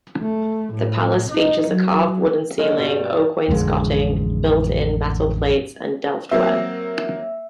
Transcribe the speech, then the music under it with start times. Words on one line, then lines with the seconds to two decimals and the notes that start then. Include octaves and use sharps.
The palace features a carved wooden ceiling, oak wainscoting, built-in metal plates and Delftware.
0.22 A3
0.74 A2
1.31 D#4
1.72 F#3
2.58 D#3 F#3 G#3 A#3
2.78 G2 B2 G3
3.48 A1 F2 D3 G#3
6.31 F#3 A#3 C4 E5